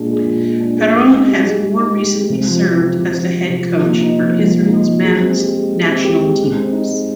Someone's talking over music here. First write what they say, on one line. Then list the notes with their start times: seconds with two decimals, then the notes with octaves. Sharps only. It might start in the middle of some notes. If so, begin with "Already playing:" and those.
Perron has more recently served as the head coach for Israel's men's national teams.
Already playing: A#2 G#3 D4
0.09 G#4
0.26 A#2
0.43 G#3
0.61 D4
0.77 G#4
0.94 G#3
1.12 D#4
1.28 G4
1.45 G#3
1.63 G#3
1.79 D#4
1.97 G4
2.13 G#3
2.30 C3
2.48 F3
2.65 C4
2.81 C3
2.99 C3
3.16 F3
3.32 C4
3.50 C3
3.66 F3
3.84 A#3
4.01 D#4
4.18 F3
4.35 F3
4.52 A#3
4.69 D#4
4.86 F3
5.03 G#3
5.20 C4
5.37 G4
5.54 G#3
5.71 G#3
5.87 C4
6.05 G4
6.22 G#3
6.39 G#3
6.56 C4
6.73 D#4
6.90 G#3